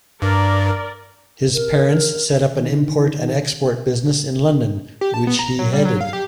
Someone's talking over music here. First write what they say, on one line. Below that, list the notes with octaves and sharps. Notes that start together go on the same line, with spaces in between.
His parents set up an import and export business in London which he headed.
G2 A#4 D5
A#4
D#3
G4
A5
B3
A#5
F#3
G3
F#3
F5
G4